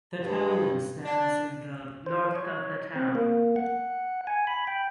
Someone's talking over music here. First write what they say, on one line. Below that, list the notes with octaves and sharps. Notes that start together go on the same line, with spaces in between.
The townland stands in the north of the town.
G2
D4
C5
C#5
C4
A#3
F#5
G#5
B5
G5